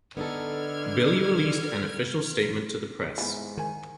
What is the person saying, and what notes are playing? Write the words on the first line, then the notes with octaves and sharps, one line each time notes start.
Billy released an official statement to the press.
D3 B3 D#4 A4 F6 G#6
G#2 E3 B3
D#3 A#4 G#5